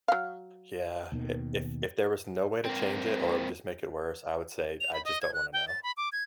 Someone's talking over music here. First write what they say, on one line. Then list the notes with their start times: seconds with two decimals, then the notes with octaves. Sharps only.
Yeah, i if if there was no way to change it, or it would just make it worse, I would say, "I just don't wanna know."
0.08 F#3 F5
1.12 D#2 B2 D#3
2.65 A#3 C4
4.80 F7
4.93 B5
5.05 D#5
5.21 G#6
5.34 F#6
5.53 G5
5.67 A6
5.83 B5
5.97 D6
6.12 G#6